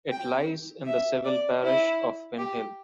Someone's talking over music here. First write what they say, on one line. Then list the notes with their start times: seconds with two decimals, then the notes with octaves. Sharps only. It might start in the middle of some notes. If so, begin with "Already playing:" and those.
It lies in the civil parish of Pimhill.
0.11 G5
0.87 E5
1.25 D5
1.63 E4
2.38 G4